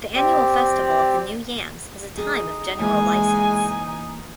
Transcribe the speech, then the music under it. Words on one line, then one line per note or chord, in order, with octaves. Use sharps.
The annual festival of the new yams is a time of general license.
C4 G4 D5
D#4 G#4
E3 G#3 A#3 G#5